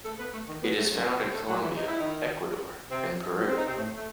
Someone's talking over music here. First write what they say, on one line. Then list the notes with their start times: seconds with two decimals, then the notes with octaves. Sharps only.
It is found in Colombia, Ecuador and Peru.
0.05 A3 A4
0.19 B3 B4
0.34 A3 A4
0.48 D#3 D#4
0.62 B2 B3
0.77 A2 A3
0.91 F#2 F#3
1.05 B2 B3
1.19 C3 C4
1.34 A3 A4
1.48 F#3 F#4
1.62 E3 E4
1.77 D#4
1.88 E4
1.99 D#3 D#4
2.91 C3 C4
3.48 C4
3.57 D#4
3.67 C3 C4
3.77 A2 A3
3.97 A3